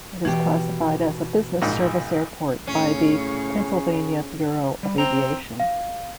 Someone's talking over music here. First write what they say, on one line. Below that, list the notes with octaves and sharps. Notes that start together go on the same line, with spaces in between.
It is classified as a business service airport by the Pennsylvania Bureau of Aviation.
B2 E3 G4
A#1 G#2
A2 C#3 C#4 C#5 F5
G3
C4 A#5
F5